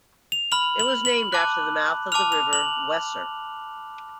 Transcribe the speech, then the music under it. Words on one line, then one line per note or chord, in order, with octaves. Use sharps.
It was named after the mouth of the river Weser.
F7
B5 F6 F#7
F#7
F#7
A5 D6 F#6
A5 D6 F6 F7
F7
F#7